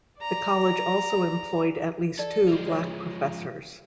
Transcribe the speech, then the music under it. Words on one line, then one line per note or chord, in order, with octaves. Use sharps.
The college also employed at least two black professors.
D5 A#5
A4 D5
F3 G#3
C#5 E5